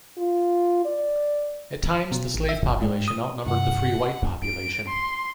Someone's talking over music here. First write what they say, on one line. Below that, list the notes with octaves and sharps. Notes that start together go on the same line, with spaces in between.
At times the slave population outnumbered the free white population.
F4
D5
B2
A1
E5
G1
G#2
D#6
G2 C3 D#3 F#5
D7
C6